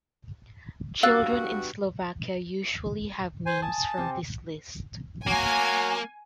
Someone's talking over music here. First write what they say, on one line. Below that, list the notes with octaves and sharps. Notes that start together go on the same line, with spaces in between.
Children in Slovakia usually have names from this list.
G2 B3 F#4 F5 E6 F#6 A6
C5 G#5
G#5 A5 D#6
C3 G4
F#3 A#3 G#5